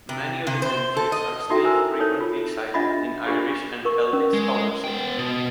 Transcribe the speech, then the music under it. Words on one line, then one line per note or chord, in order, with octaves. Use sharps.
Many of its entries are still frequently cited in Irish and Celtic scholarship.
C3
C3
C5
A4
D#5
D#4 E4 F#4 A4 E5 G5
E4 A#4 C5 G#5
D#4 A4 C5 C#5 A5
F4
D4 F4 D#5 E5 F#5 B5
D4 F4 G4 G#4 C5
A#4 C#6
C#4 A#4
G#3
B3 G5
B2